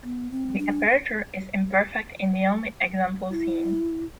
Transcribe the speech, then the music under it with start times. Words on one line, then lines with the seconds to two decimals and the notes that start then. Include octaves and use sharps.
The aperture is imperfect in the only example seen.
0.03 B3
0.31 C4
0.58 D4
3.31 E4